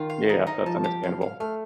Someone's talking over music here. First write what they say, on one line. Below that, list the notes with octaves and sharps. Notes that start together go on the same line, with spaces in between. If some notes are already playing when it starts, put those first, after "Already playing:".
Yeah, yeah, that's understandable.
Already playing: D#3 F4
F5
D#4
D#4
F3 A5
G4
F5
F5
A3 F5